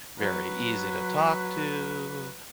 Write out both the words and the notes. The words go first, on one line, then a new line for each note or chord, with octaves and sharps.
very easy to talk to,
F#3 B4